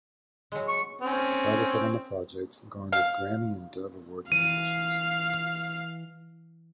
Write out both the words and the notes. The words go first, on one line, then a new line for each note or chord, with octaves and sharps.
The title cut on the project garnered Grammy and Dove Award nominations.
F#3 G#3
C#6
C4 C#4
F5
E3 F5 D#7